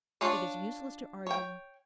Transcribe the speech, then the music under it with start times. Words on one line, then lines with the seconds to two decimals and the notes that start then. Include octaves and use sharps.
'It is useless to argue.
0.21 D4 F4 C#5 D5
1.27 C#5 G5